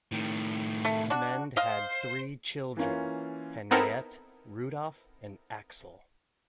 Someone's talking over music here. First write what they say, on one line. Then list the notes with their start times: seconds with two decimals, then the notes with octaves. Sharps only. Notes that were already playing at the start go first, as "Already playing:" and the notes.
Smend had three children: Henriette, Rudolf and Axel.
0.12 A2 D#3
0.85 A3
1.10 D4 F#4
1.57 C5 D#5 F5
2.77 E3 A#3 C#4 F4
3.71 B3 C4 D#4 E4 A4 A#4